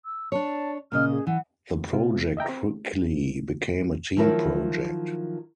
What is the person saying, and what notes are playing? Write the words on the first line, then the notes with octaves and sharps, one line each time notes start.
The project quickly became a team project.
E6
D4 C#5 A5
A#2 C#3 D#5 F6
G#4
E3 F#5
C3 E4 F4
D#5 E5 G5 A#5
C4
D#3 F3 F#3 E4 A#4